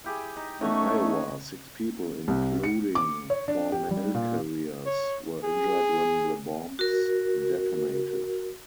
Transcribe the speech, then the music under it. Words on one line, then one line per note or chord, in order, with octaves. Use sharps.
In Iowa, six people, including four mail carriers, were injured when the bombs detonated.
E4 G4 G#4
D#4
A3 C#4 D#4 C#5 F#5 C#6
C2
C#7
D6
C#5
D4
G4
G3
A#2
C#5
G#4
F#4 A#4